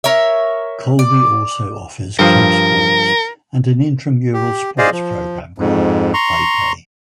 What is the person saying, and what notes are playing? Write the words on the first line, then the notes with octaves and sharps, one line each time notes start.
Colby also offers club sports and an intramural sports program called I-Play.
A#4 C#5 E5
D5
G2 F3 A#4
G4
G#4 C5 D5 D#5 F5
F3
F2 G#2
A#5 C6 C#6